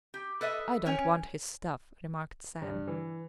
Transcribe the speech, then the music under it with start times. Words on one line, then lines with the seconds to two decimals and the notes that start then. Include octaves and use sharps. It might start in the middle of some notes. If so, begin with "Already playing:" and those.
"I don't want his stuff," remarked Sam.
0.14 G4
0.41 A4 B4 D#5 E5
0.86 C#4 C#5 G5 G#5
2.62 G2
2.87 E3